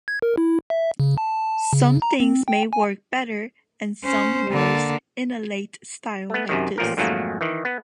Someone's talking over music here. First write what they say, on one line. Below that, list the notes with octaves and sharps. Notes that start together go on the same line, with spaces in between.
Some things may work better and some worse in a late style like this.
G#6
A#4
E4
E5
C#3
A5
C#3
A#5
C4
G5
G#5
C#4 C5
D3 A#3
A3 B3
F#2 C3 D#3
A1 A#2 F3 A#4
F2 G#2 D#3 F#3 A3 A#3
D#3 E3
B3